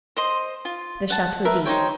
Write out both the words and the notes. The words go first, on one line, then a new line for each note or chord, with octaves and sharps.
The Chateau D'If.
C5 D#5 C6
F4
F#5 A5
A#4 B4 E5
D#4 C5 C#5 G5